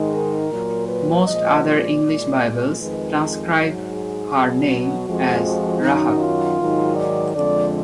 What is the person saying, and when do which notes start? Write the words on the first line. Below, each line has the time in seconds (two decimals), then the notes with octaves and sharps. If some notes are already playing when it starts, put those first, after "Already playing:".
Most other English Bibles transcribe her name as Rahab.
Already playing: G#2 D#3 G#3
0.13 A#4
0.51 A#2 F#3
0.89 B4
1.27 A#2 F3 G#3 D#5
1.65 D5
2.03 A#2 G#3
2.79 F2 D#3 G#3 B4
3.54 G#2 F#3
3.92 G#4
4.31 B2 F#3
4.69 F#4
5.07 F2 F3 G#3
5.44 F#4
5.82 F#2 D#3 F#3 D#4
6.20 F4
6.58 G#2 D#3 F#3
6.96 D5
7.34 F2 D3 F3 G#3 D5